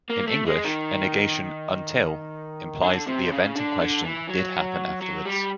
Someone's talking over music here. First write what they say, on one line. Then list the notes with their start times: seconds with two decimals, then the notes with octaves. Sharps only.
In English a negation "until" implies that the event in question did happen afterwards.
0.10 A#3
0.28 A3
0.47 G#3
0.65 D#3
2.83 D3
3.07 C3
3.32 C#3
3.56 D3
3.81 D3
4.05 E3
4.29 F#3
5.02 F#3
5.26 G3